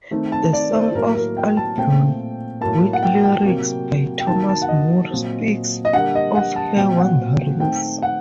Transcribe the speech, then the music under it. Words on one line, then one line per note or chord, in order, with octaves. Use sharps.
'The Song of Albion', with lyrics by Thomas Moore speaks of her wanderings.
D#3 A3 C4
A5
D5
C5
A2 F#3 A#3 A#4
A#4
G5
A5
A#2 A3 C4 G5
A2 F#3 A#3 A5
F#5
G5
G5
C3 F#3 A#3
G5
D#3 F#3 A#3 A5
A5
F#5
D#5
A#2 F#3 C4
D#5
D3 G3 A#3 F#5
D#5
F#5
A5
A#2 F#3 C4 G5
F#5
D#3 A3 C4 G5
F#5